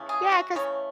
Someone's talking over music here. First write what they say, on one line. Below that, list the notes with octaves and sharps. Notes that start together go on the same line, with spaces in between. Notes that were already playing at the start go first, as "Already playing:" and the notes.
Yeah, 'cause
Already playing: C#3 E3 A3
G#4
F#4
C#3 E3 A3 C#5